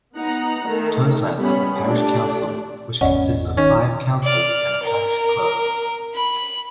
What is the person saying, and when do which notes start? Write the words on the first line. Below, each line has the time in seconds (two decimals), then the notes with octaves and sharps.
Toseland has a parish council, which consists of five councillors and a parish clerk.
0.16 B3 D#4 F#5 A#5
0.66 D#3 A3
1.37 G3 B3 C#4 B5
1.80 A3 D4 G4 D5
3.01 G#1 E2 B3 C#4 D5 D#5 F#5
3.57 D#3 C#4
4.23 D5 F6
4.83 A#4
6.14 B5